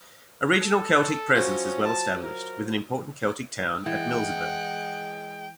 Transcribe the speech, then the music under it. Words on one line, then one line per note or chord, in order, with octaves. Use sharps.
A regional Celtic presence is well established, with an important Celtic town at Milseburg.
A4
F3 F#3 C#4
A5
A#4
E3 G#3 F#5 G5